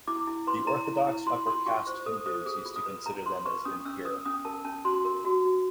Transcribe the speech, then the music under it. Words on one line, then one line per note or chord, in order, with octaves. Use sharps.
The orthodox upper caste Hindus used to consider them as "impure".
E4 D6
E4
B4 C6
E4 A#5
E4
A#5
E4
F4 C6
F4 C6
F4 C#6
C5 C#6
A4 D#6
C5 D#6
G#4 D#6
F4
D#6
B4
B4 A#5
F4 C6
B4 C#6
C#4 D#6
C#4 E6
A#4 D#6
C#4 D#6
A#4 A5
C#4 A5
F#4 C6
A#4
F#4
F#4